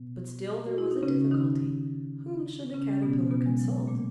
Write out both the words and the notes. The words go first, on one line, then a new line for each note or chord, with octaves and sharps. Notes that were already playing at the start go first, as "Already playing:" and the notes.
But still there was a difficulty--whom should the Caterpillar consult?
Already playing: B2 B3
F#4
E4
D#4
C#3 C#4
D#3 D#4
C#3 C#4
C#4
B2 B3
B2 B3
G#3
F#3
A#2 A#3